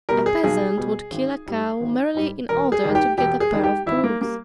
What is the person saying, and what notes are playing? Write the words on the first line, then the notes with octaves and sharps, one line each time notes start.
A peasant would kill a cow merely in order to get a pair of brogues.
B2 G3 A#4
G#4
B1 G#4
B2 G3
G#1
G#2 G3
G#1
G#2 G3
E1 A#4
G#4
D#2 D#3 G3
G4
E1 G4
G#4
D#2 D#3 G3
G4
G#1 E4
A#3
G3 A#3